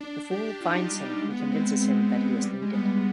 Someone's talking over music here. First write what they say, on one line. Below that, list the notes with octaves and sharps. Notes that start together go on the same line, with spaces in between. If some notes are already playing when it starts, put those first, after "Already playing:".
The Fool finds him and convinces him that he is needed.
D4
G4
F4
D#4
F4
G3
G#3
B3
G#3
C4
G#3
B3
G3
G#3
B3